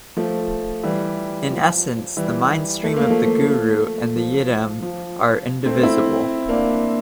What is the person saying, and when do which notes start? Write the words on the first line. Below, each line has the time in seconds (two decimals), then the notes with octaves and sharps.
In essence, the mindstream of the guru and the yidam are indivisible.
0.17 F3 A3
0.84 E3 G3
1.50 F3
2.17 E3 G3
2.84 A3
2.97 A#3
3.10 F3 A3
4.16 F3
4.82 F3
5.66 A3 C4
5.83 C4 E4
6.49 A#3 D4